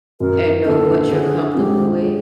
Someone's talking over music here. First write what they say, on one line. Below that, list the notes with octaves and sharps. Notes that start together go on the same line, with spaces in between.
and know what you're comfortable with,
F#2 A#4
D3 F3 A#3 D4 A4
D3 G#4
F3 G#3 G4
G#4